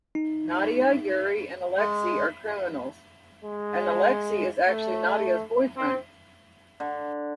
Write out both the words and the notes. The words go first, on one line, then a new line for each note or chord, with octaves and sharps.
Nadia, Yuri, and Alexei are criminals, and Alexei is actually Nadia's boyfriend.
D#4
G#3
G#3
A3
C4
D3